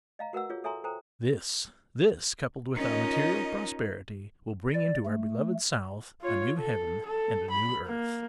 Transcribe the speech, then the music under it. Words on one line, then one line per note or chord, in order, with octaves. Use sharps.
This, this, coupled with our material prosperity, will bring into our beloved South a new heaven and a new earth.
D#5 F5 A#5
F#4 A#4 B4 F#5 E6
F4 G#4 C#5
A4 C#5 E5 G#5 A#5 C6
A4 C5 G5 A#5
C#4 D#4 F4 A#4 D#5
D5
A3
F4 C#5
A4
A4
B5
A#3